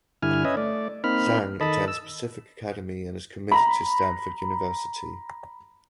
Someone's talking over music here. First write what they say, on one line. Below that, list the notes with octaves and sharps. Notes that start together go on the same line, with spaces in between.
Zhang attends Pacific Academy and is committed to Stanford University.
G2 D3 E4 G#5 F6
C#4 B4 D#5 E5 G#5
A3 D5
A#3 C4 D#4 B5 F6
D#3 A4 D#5 A5 B5
E6
A#5 B5